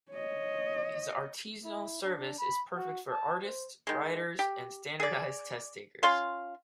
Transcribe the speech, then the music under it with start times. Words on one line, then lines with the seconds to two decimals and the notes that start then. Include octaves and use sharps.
His artisanal service is perfect for artists, writers, and standardized test takers.
0.11 C#5 D#5
1.64 E4
2.03 D4
2.39 B5
2.76 F#4
3.11 A5
3.43 C5
3.87 D#3 G#3
4.39 G4
5.00 G#4 D5
6.03 C#4 F4 F5 C6